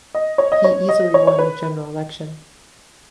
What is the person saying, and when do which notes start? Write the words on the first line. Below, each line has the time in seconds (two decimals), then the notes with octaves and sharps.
He easily won the general election.
0.15 D#5
0.38 C#5
0.52 D#5
0.64 C#5
0.89 D#5
1.14 C#5
1.27 C#5
1.39 B4